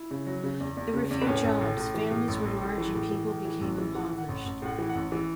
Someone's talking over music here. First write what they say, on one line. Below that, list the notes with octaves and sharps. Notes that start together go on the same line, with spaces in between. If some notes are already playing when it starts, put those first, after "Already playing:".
There were few jobs, families were large and people became impoverished.
Already playing: E4
C#3
F#3
C#3
E2
E2
C#3
E2
B3
A2 C#4
A1
A2
A2
E3
A2
A1
A1
A2
E3
A2
E3
A2
E3
A1
E3
E3 F#5
A2
F#5
A1
A1 F#5
A2 F#5
E3
F#5
A1
E3